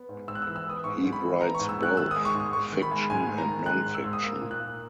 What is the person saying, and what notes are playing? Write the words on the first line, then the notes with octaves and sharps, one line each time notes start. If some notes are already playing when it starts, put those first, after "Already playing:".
He writes both fiction and non-fiction.
Already playing: B3
G#2
G#2 E6
F#6
E3 E6
E6
B3 D#6
G#2 C#6
G#2
B5
E3
B3 A#5
G#2 C#6
E6
G#2 F#6
D#3 E6
D#6
G#3
C#6
G#2
D#6
G#2 C#6
D#3
B5
G#3
G#2 G#5
G#2
A#5
D#3
G#3 F#6
G#2
E6
G#2
D#6
A#3 E6
A#2
F#6
A#3